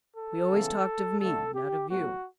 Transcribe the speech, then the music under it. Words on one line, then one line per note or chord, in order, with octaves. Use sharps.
We always talked of me, not of you.
A4
C#3 E3 B3
D3 A3 A4
G4
A2 F#3 B3 F#4